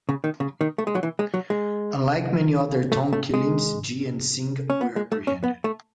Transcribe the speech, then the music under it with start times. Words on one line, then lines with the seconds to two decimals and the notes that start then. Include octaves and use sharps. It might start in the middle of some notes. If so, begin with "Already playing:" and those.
Unlike many other Tong killings, Gee and Sing were apprehended.
0.09 C#3
0.24 D#3
0.40 C#3
0.61 D#3
0.78 A3
0.87 G#3
0.95 F#3
1.03 E3
1.19 G#3
1.34 F#3
1.50 G#3
2.92 A3
3.13 A3
3.34 G#3
4.70 C#4
4.81 B3
4.96 G#3
5.12 A3
5.27 C#4
5.44 B3
5.64 A3